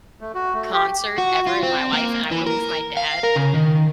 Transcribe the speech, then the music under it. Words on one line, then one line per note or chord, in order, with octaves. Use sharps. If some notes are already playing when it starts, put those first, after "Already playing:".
concert ever in my life, and I went with my dad.
A3
F#4
A3
G4
F#4
F4
C4
A#3
E3
A#4
F5
A#4
C#3
D#3